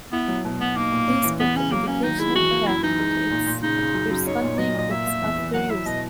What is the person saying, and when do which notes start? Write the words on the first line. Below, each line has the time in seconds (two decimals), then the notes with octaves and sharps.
Please put the medication back into its corresponding box after use.
0.12 B3 E4
0.28 F#3
0.45 B2
0.60 B2 B3
0.76 A#3 D#4
0.92 A#2
1.08 C#4
1.24 E3
1.40 E2 B3
1.56 C#3 C#4
1.72 F#3 A#3
1.87 A#3 C#4
2.03 D#3 D#4
2.19 G#3 E4
2.35 E3 F#4
2.51 A#3
2.67 F#2 E4
2.83 E3 D#4
2.99 G#3
3.14 E3
3.30 A#2
3.47 A#2
3.63 C#3 D#4
3.79 C#3
3.94 F#2
4.10 F#2
4.26 D#4 C#5
4.42 A#2
4.58 F#3 D#5
4.74 A#2 D#5
4.90 A#3 E5
5.06 A#3
5.22 E2
5.38 E3
5.54 F#3 F#5
5.70 E4 E5
5.86 B2 D#5